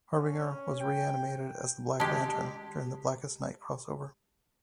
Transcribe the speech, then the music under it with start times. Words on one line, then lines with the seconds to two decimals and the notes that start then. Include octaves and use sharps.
Harbinger was reanimated as a Black Lantern during the "Blackest Night" crossover.
0.16 C#4
0.81 G5
2.00 G#3 G4 A5